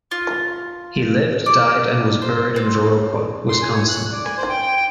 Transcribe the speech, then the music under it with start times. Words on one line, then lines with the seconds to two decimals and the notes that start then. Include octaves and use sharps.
He lived, died and was buried in Viroqua, Wisconsin.
0.11 F4
1.46 D5
2.22 C5
2.56 C4
3.49 C6
3.62 G#5
3.74 C#5
3.89 F#6
4.12 D5
4.25 G#5
4.37 C5
4.50 G5
4.62 G5
4.76 G5